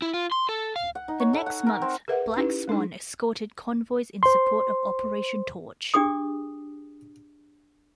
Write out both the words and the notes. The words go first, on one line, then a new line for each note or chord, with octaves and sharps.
The next month "Black Swan" escorted convoys in support of Operation Torch.
E4
F4
C6
A4
F5
F#5
D#4
C#5
A4
F#5
A#4
C4
G#4 A#4 B4 E5 F#5
C#4 D#4 E4 G4 B4
G#3 D4 D#4 G#4
C5 C6
D4 G4 G#4 D6 D#6